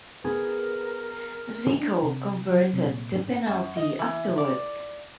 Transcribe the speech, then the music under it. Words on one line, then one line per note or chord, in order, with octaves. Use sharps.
Zico converted the penalty afterwards.
B3 G#4 A#4 B4
D4
C3
F#3
C3
A#2
G#2
F#2
D#5
E3
D5